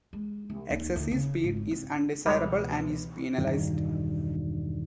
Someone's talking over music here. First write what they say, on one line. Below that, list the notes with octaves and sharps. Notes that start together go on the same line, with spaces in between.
Excessive speed is undesirable and is penalized.
G#3
C2
D#2
D2
C#3
G#1
C4
C#2 B2 E3 G3 G#3 C#5
E1 G2 D#3